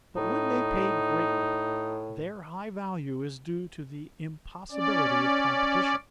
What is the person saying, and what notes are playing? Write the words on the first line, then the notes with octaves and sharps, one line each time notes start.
But when they pay greatly, their high value is due to the impossibility of competition.
A2 D#4
C#4 D5